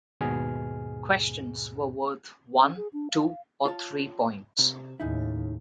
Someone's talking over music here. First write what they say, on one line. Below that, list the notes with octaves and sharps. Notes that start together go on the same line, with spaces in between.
Questions were worth one, two or three points.
D#2 G#2 B2 G#4 G#5 F6
C#4
G#4
D4
F5
F4 C#5 A5
C3
D#2 A2 C#3 D#4 E4